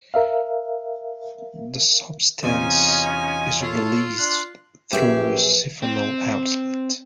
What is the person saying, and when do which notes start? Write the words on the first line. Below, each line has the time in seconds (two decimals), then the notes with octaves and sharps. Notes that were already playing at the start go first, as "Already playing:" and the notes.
The substance is released through a syphonal outlet.
0.14 A#4 E5 F5
2.43 E2 C3 C#4 D#4 F4 D#5 G#5
3.61 F4 A4 C#5 A5
4.18 D4 C6 F#6
4.93 A#1 F#2 A#3 C#4 G4 G#4 B4 E5
5.82 C4